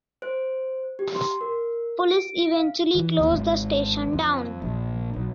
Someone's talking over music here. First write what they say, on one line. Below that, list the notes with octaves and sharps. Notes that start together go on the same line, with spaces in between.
Police eventually closed the station down.
C5
G4
C6
A#4
D7
F5
E3
D#2
G#1
F2
A#1
B1